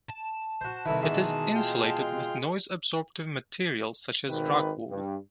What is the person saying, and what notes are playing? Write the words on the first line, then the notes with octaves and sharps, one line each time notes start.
It is insulated with noise absorptive materials such as rock wool.
A5
F#4 C5
C2 D#3 E4 A4 B4
B2 E3 G#3
F4 G5
G#1 D#3 B4
G2